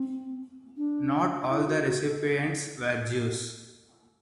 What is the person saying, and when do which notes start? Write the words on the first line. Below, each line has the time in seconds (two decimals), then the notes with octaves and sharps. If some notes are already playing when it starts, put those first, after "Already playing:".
Not all the recipients were Jews.
Already playing: C4
0.77 D4
1.50 E4
1.67 F#4
1.86 F#4
2.04 A4